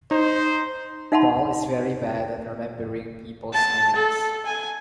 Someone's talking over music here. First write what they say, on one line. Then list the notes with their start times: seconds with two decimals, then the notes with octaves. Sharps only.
Paul is very bad at remembering people's names.
0.11 D#4 C5
1.12 D#4 E5 F#5 A5 B5 C6
3.54 A5
3.96 A4
4.46 G#5